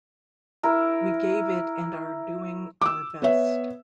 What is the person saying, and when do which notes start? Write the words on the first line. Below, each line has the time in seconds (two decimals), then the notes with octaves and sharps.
We gave it and are doing our best.
0.63 E4 A#4
2.82 D6 E6
3.22 B3 C#5 E5